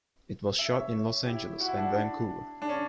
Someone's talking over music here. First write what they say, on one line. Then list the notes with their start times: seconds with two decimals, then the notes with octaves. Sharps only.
It was shot in Los Angeles and Vancouver.
0.59 E5
0.73 C#5 E5
1.26 E4 G4
1.60 F#4
1.68 E4
1.76 D4 F#4
1.94 D4
2.62 D4
2.69 C#4